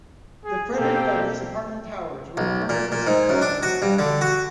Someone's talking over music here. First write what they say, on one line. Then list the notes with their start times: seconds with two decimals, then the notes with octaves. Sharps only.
The Frederick Douglass Apartment towers were converted to senior housing.
0.45 G#4
0.75 B2 A#3 C4 G4 A4 G5
2.37 B1
2.69 A#2
2.92 A#2
3.07 G#2
3.29 F#2
3.41 D4
3.63 F#4
3.82 G2
3.99 D3
4.21 F#4